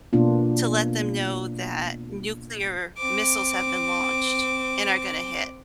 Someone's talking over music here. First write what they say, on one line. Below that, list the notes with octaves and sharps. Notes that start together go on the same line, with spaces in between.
to let them know that nuclear missiles have been launched and are gonna hit.
B2 A#3 B3 D4 F4
C4 D6